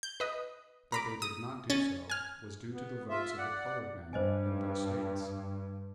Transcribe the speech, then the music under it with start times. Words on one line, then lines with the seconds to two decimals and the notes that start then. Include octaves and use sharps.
That they did not do so was due to the votes of the colored men in those States.
0.03 G6
0.20 B4 D#5
0.92 A#5 B5 D6
1.22 D#6
1.70 C#4 G#6 A6
2.10 G#5 F6
2.74 B3
3.09 F4 E5
3.38 D5 F#5
4.13 G2 C5 D#5 G#5